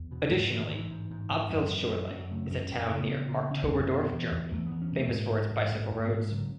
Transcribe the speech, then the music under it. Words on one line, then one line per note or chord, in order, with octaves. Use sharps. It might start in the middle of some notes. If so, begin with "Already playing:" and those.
Additionally, Apfelschorle is a town near Marktoberdorf, Germany famous for its bicycle roads.
Already playing: E2
B2
G#2 G#3
G#2 E3
D#3
G#2
E3
G#2
G#2
G#2
F#2
F#2
F#2
F#2 F#3
C#3 A3
F#2 C#4
F#2 C#4
C#3
B3
C#3
C#3
C#3
F#2
B2
E2
E2
E2 A3
E2 B3
C#4
B2 A3
G#2 G#3
G#2
G#2
G#2
G#2
B3
G#2 A3
G#3
C#3 F#3